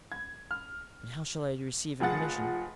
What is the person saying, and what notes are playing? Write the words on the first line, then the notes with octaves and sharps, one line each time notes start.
"And how shall I receive information?"
G#6
F6
F1 F3 G#4 F#5 A6